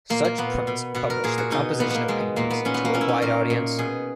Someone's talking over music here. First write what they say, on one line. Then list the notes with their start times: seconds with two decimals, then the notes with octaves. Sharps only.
Such prints published the composition of paintings to a wide audience.
0.10 A#2 A#3
0.25 A#3
0.38 A#2 B3
0.67 B2
0.95 B2 F#4
1.10 A#4
1.24 A#2 G#4
1.38 F#4
1.51 B2 D#4
1.80 A#2 B3
1.90 A#3 B3
2.08 B2 G#3
2.36 A#2 A#3
2.50 B3
2.65 A#2 C#4
2.74 B3
2.85 A#3
2.94 B2 C#4
3.01 E4
3.08 D#4
3.22 A#2 A#4
3.50 A#2
3.79 B2 G#4